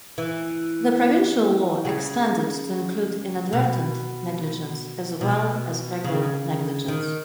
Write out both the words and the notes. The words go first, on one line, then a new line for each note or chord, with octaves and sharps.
The provincial law extended to include "inadvertent negligence" as well as regular negligence.
E3
C#3
B2
B2
C#3
D#3